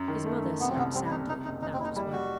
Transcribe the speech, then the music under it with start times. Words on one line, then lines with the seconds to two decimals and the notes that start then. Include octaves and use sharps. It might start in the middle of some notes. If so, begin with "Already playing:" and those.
His mother slept soundly: that was well.
Already playing: F#2
0.08 D#3
0.25 A3
0.42 F#2
0.60 C3 B3
0.69 C4
0.77 C2 B3
0.94 G3 C4
1.06 E4
1.11 C3 D#4
1.27 C3 D#4
1.44 F#1 D#4
1.61 F#1 D#4
1.73 C4
1.79 F#1 E4
1.84 D#4
1.96 G3 E4
2.12 G3 F#4